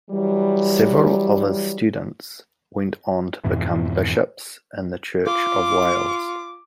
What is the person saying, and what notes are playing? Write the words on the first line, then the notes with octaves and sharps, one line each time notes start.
Several of his students went on to become bishops in the Church in Wales.
E3 F#3 G3
F2 G#2 B2 E3
F4 D6